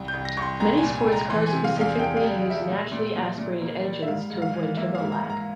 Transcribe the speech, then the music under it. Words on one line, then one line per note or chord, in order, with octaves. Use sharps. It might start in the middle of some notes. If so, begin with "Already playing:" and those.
Many sports cars specifically use naturally aspirated engines to avoid turbo lag.
Already playing: C2
G6
C2
A#6
C2 C#6
C6
C2 A#5
G#5
A#2
G#5
G#3
A#5
E3 C6
G#5
C3
F5
E2 F5
E2 G5
F5
G3
G3 E5
A#2
A#2
A#2
A#2
A#3
G3
E5
G#2 F5
G#2
F5
E3
A#3 E5
F5
G#2
A#5
G#2
A#5